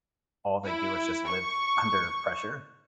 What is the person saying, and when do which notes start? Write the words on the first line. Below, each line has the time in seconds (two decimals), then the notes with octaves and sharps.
all they do is just live under pressure?
0.67 E4
1.30 C#6